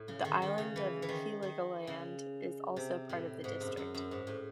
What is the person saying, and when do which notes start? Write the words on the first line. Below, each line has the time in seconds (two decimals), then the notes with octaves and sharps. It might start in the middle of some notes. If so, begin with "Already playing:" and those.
The island of Heligoland is also part of the district.
Already playing: A2
0.08 C#3
0.25 D#3
0.42 D#3
0.58 C#3
0.76 E3
1.02 E3
1.09 D#3
1.42 D#3
1.87 C#3
2.76 C3
3.09 A2
3.44 G#2
3.61 F#2
3.77 F#2
3.95 F#2
4.11 G#2
4.27 A2